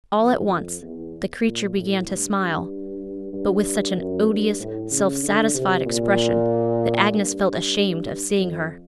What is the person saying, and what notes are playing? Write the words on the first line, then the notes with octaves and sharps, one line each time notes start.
All at once, the creature began to smile, but with such an odious, self-satisfied expression, that Agnes felt ashamed of seeing her.
F2
E2
A#2
A2
G2
G2
F#2
G2
A2
C#3
D3
C3
A#2
G2
F2